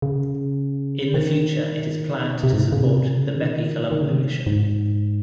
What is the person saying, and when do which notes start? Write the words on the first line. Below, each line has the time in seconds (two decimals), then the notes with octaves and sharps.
In the future it is planned to support the BepiColombo mission.
0.02 C#3
1.14 D#3
2.43 C3
2.53 G#2
2.62 A2
2.72 C#3
2.81 C3
3.09 C#3
3.36 D#3
3.92 D#3
4.02 C#3
4.10 C3
4.47 G#2